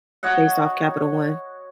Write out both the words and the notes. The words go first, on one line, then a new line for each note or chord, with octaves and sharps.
based off Capital One
F#4 C#5 D#5 F#5